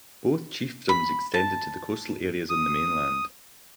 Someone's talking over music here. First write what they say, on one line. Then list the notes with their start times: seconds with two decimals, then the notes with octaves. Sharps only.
Both chiefdoms extended to the coastal areas on the mainland.
0.89 B5
1.34 A5
2.50 D#6